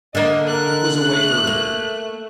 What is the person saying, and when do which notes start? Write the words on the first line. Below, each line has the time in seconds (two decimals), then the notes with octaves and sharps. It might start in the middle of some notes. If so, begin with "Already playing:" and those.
Dick was awake early.
0.15 D3 A#3 D#5
0.48 A#4 F#6
1.06 A3
1.47 A#3